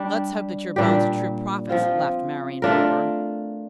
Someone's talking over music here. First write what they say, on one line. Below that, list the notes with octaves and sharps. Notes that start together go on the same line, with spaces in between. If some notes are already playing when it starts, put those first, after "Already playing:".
"Let's hope that your bones are true prophets," laughed Marian Barber.
Already playing: G3 D4 G4
A#2 G3 D4 G4
F3 C4 F4
A3 D4 F4 A#4